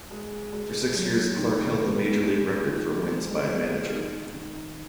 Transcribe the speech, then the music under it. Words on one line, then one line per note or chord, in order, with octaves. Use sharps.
For six years, Clarke held the Major League record for wins by a manager.
G#3
G#3
F#2
D#3
B3
G#3
D#3
G#3
G#3
D#4
D#3